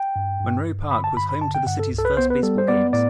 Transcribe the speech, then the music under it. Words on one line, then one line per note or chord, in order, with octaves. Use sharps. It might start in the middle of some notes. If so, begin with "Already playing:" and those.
Monroe Park was home to the City's first baseball games.
Already playing: G5
G2
G2
G2
D3 B5
A5
G2 B5
B5
D3 A5
G5
G2 F#5
A4
C2
A4
B4
B3 C5
B4
G3 A4
C5
B3 D5
A2 D5